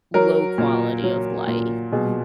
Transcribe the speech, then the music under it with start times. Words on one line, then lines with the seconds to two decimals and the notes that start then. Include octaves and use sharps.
low quality of life mhm.
0.14 F#3 A#4
0.58 A#2
1.04 F#3
1.47 A#2
1.92 B2 G#4